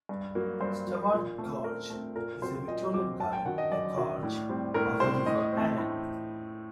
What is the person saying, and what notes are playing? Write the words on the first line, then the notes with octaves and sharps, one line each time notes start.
Staward Gorge is a Victorian garden in a gorge of the River Allen.
G2
F#3 A#3
G2 C5
F#3 A#3
A#2
A3 C4
A#2 A#4
A3 C4
A#2 A#4
F#3 C4 C5
A#2 D#5
F#3 C4 D6
F#2 A5
G5
D#3 F#3 F#5
D#5
F#2 D5
D#3 F#3
A2
G3 C4
A2 A#4
G3 C4 C5
A2 D#5
A3 C4
A2